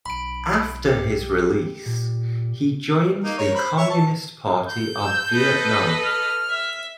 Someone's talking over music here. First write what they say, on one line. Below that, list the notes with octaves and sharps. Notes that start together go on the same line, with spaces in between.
After his release, he joined the Communist Party of Vietnam.
B1 B5 D7
G4
A#2
A#3 D#4
A#4 C#5
C5 B5
C#5 E5 C#6
A5
G6
E6
A4 B4 D#5
F6
E5